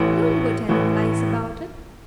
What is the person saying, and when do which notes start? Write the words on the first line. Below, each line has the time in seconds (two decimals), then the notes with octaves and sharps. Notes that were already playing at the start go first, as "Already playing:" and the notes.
Don't go telling lies about it.
Already playing: A1 A2 E3
0.69 A1 A2 E3